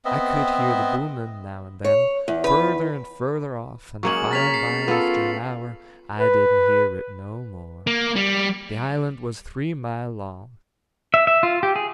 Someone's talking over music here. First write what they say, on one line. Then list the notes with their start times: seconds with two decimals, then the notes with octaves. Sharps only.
I could hear the booming now and then, further and further off, and by and by, after an hour, I didn't hear it no more. The island was three mile long.
0.05 B3 C4 D#5 E5
1.85 C#5
2.28 E2
2.44 B4
4.03 C#3 F#3 G#3 A#3 C#4 C#6 C#7 F#7
4.31 A#4 C#5 A6 B6 F7
4.54 C7
4.88 B3 F4 A4
6.19 B4
7.87 A#3
8.16 G3
11.14 E5
11.27 E5
11.43 F4
11.63 G4
11.76 G#4